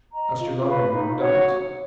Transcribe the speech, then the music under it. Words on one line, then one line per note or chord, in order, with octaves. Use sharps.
"As you love me, mum, don't!"
D#5 A#5
F4
B4 F5 B5
D#4
F#4 C#5 F#5